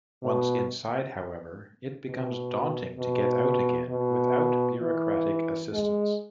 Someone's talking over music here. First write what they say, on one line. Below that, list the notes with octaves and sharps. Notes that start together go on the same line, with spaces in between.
Once inside, however, it becomes daunting to get out again without bureaucratic assistance.
B2
B2
B2
B2
E3
G#3